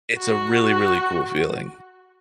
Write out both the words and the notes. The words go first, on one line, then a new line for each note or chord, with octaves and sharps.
it's a really, really cool feeling
F#4
F#4